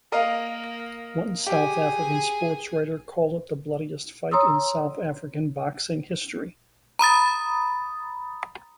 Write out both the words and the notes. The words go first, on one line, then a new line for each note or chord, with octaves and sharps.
One South African sportswriter called it "the bloodiest fight in South African boxing history".
A#3 A#4 D#5 F5
G4 G#4 G#5
C#5 A#5 C6 D#6 E6
A#5 B5 D#6 A6